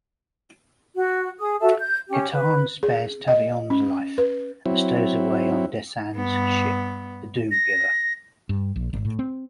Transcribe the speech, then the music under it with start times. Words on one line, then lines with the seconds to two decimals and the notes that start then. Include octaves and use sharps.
Katarn spares Tavion's life and stows away on Desann's ship, the "Doomgiver".
0.96 F#4
1.39 G#4 D#6
1.60 F#4 A4 E5 A5
1.80 G6
2.08 C#4 G4
2.32 B4
2.83 G#4
3.28 D#5
3.70 C#4
4.18 B4
4.66 F#3 C4 E4
6.13 G2 B3
7.51 A#6
8.49 G2
8.76 A#1
8.93 G#1
9.05 A2
9.19 C4